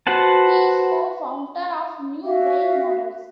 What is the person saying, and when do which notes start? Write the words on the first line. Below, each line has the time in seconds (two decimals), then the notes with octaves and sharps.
He is co-founder of New Rail Models.
0.07 F#4 B4 C5 F#5 A5
2.23 F#4 E5 F5